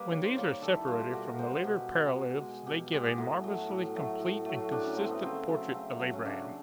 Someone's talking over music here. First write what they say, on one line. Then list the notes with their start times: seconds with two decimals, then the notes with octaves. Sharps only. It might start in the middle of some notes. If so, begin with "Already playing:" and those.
When these are separated from the later parallels they give a marvelously complete and consistent portrait of Abraham.
Already playing: G3 A#3 B4
0.10 D#3 C#5
0.23 C5
0.36 G3 A#3 C#5
0.49 D5
0.62 D#3 A4
0.75 E4
0.88 G3 A#3 F4
1.00 G4
1.13 B2 F#4
1.26 A#4
1.39 G#3 C5
1.51 C5
1.64 B2 G4
1.90 G#3
2.15 B2
2.41 G#3
2.66 B2 G4
2.92 G#3 G4
3.05 G#4
3.18 A2 F#4
3.44 F#3 A3
3.69 A2
3.95 F#3 A3
4.20 A2
4.45 F#3 A3
4.71 A2 D4
4.85 C#4
4.97 F#3 A3 C4
5.10 B3
5.22 C#3 C4
5.48 F#3 A3
5.74 C#3
5.99 F#3 A3
6.13 C#4
6.25 C#3 D4